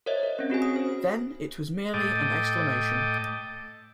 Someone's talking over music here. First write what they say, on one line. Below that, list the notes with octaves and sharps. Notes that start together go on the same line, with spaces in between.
Then it was merely an exclamation.
A#4 C5 C#5 D#5 E5
A#4
C4 C#4
C4 F#4 G#4 G#5
D#6
C5
A2 D#5 G5 A5 D6